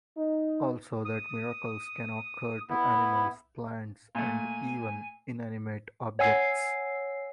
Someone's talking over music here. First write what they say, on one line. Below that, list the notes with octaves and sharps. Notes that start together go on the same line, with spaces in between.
Also that miracles can occur to animals, plants, and even inanimate objects.
D#4
D#6
B3 E4
A#2 A3 G#5
C#5 F#5 G#5 E6 C7